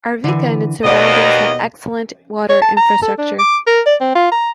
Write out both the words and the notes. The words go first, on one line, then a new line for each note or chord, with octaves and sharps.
Arvika and its surroundings have excellent water infrastructure.
D3 E3
D#2 B2 B3 D5 D#5 F#5
C#5
A5
A#5
A4
D4
D6
A#4
D5
C4
F4
A#5